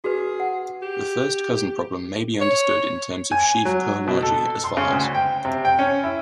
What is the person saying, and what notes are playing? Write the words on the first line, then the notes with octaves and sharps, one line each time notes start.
The first Cousin problem may be understood in terms of sheaf cohomology as follows.
F#4 G#4 B4
F#5
G4
C#5
G#5
F#3
B2
A4
C6
C#3
D2
G5
C3
G5
C#4
E4